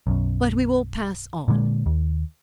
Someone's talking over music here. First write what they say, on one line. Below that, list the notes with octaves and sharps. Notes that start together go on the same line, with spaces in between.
But we will pass on.
B1 F#2
A#2 D3 F#3 G#3
D#2